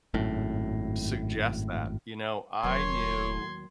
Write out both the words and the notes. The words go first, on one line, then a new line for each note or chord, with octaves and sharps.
suggest that, you know, I knew,
G#1 F#2 A2
E1 D#2 A2 F#3 C#5 C6 G#6